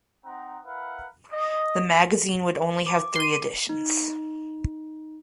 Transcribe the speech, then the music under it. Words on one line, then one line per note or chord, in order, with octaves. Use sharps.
The magazine would only have three editions.
C4 D#4 F#5 A#5
E4 A#4 B4 F5 F#5
D#5
D6
C6 D#7
D#4